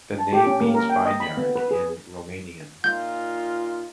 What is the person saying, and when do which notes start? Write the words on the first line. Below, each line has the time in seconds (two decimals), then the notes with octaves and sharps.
The name means "vineyard" in Romanian.
0.19 A5
0.33 G4
0.47 C#4
0.61 A#3
0.74 A#4
0.90 G5
1.05 D#5
1.20 B5
1.37 B3
1.56 B4
1.71 G#4
2.84 A#2 D#4 F4 F5 G6